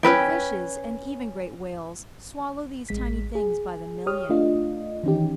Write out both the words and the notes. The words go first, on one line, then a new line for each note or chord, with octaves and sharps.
Fishes, and even great whales, swallow these tiny things by the million.
C#4 A#4 B4 G5
A1 G#3 B6
G#4
G4 C#5 D#6 F6
A3 D4 F4 D#5
D#3 E3 C#4 D#4 G4